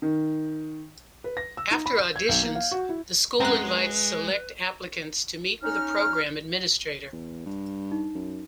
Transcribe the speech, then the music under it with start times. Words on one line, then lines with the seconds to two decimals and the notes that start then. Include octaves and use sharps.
After auditions, the school invites select applicants to meet with a program administrator.
0.02 D#3
1.24 B4
1.37 A#6
1.57 E6
1.71 D#4
1.86 B5
1.98 G6
2.16 G#6
2.29 B1
2.42 A#3
2.55 F5
2.72 F#4
2.89 E4
3.40 F#2 G#3 C4 B4 A#5 F#6
5.63 C#4 D#4 F6
7.12 E2
7.46 G2
7.92 D#4
8.15 F#2